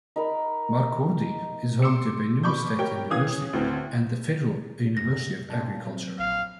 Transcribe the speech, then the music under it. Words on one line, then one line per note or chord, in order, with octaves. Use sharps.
Makurdi is home to Benue State University and the Federal University of Agriculture.
D#4 A#4 B5
C6 D6 E6 C#7
B2 B5 C#6 D6 G6
G4 A#4 C#5 G5
E3 C#4 F5 D#6 G#6
D2 A2 B3 C4
F#2 A#6
A#2 C#3 A#3 A5
F#3 C4
A#1 F5